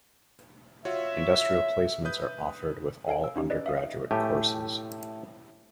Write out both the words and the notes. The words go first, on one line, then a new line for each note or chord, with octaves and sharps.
Industrial placements are offered with all undergraduate courses.
F4 F#4 C#5 E5
B4 D#6 G6
A4 F5 G#5 D7
E6
C#4 D#4 G4
B4 D5 D#5
E5 F5 D#6
A2 A3 G4 G#5